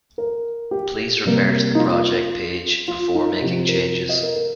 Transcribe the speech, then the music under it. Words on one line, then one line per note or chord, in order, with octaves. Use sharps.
Please refer to the project page, before making changes.
A#4
G4
C3 G3 A#3
D#4
F4
F4
D#4
C3 F3 C4 G4
A#4
D#5
A#4
A#4